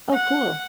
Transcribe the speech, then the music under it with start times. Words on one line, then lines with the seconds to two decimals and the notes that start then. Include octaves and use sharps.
Oh, cool.
0.13 F#5